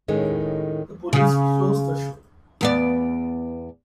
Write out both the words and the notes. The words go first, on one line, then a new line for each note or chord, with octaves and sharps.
The police closed the show.
A2 D#3 G#3 C#4
C#3
E2 B3 D5